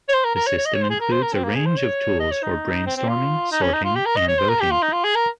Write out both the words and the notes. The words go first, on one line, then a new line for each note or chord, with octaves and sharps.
The system includes a range of tools for brainstorming, sorting and voting.
C#5
C5
A#4
A#4
C#5
C#5
D#5
C#5
C5
G#4
A#4
C5
A#4
C4
A#3
G#4
C5
C#5
D#5
C#5
D#4
C4
C4
F4
D#4
C#4
D#4
F4
G4
A#4
D#5
C#5
C5
A#4
G4
F4
D#4
F4
G#4
A#4